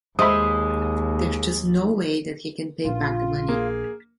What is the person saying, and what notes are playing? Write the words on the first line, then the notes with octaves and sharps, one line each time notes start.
There's just no way that he can pay back the money.
D#2 G#3 C5 E5 B5 D#6
A#1 F4
A#3 G#4